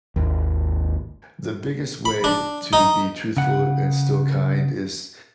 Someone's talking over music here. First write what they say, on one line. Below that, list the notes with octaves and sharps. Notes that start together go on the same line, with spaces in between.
the biggest way to be truthful and still kind is
G#1 D#2
B5
D4
D#4
C#3 F#5